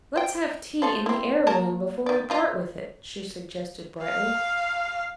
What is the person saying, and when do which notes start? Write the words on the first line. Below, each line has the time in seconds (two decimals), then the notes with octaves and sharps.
"Let's have tea in the heirloom before we part with it," she suggested brightly.
0.16 C5 G5
0.82 A3 A4 C5
1.06 C4 E4
1.47 A#3 A#4 A5
2.06 D#3 D5
2.30 G3 F4 D#5
4.03 F5